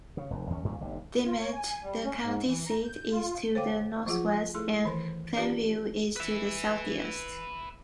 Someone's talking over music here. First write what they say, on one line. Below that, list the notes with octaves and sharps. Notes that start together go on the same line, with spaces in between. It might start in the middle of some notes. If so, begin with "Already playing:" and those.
Dimmitt, the county seat, is to the northwest, and Plainview is to the southeast.
C#3
F1 D#2
D#2 C#4
G2 A#2 D#3 C#4
G1 D#2 C3
F4
C#5
G#5
G3
C#4
G#2
E3
A#5
G6
F4
D3 C5 C#5 F5 G5 D6
F3 F#3 F4 G#4 F#5
A3 E4 G#4 A4 C6
D#3 E3 A#4 C6
C#4 F4 G4 A#4 B4 D5
B4 E5